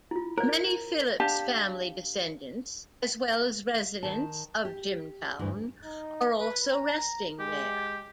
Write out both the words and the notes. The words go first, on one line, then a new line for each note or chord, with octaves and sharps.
Many Phillips family descendants, as well as residents of Jimtown, are also resting there.
E4 F4
A#4 C5 D5
D4 G4 F5 A5
D#3 A5
G4
D2 G2 E3
D#4
B4
A#5
G#3 G4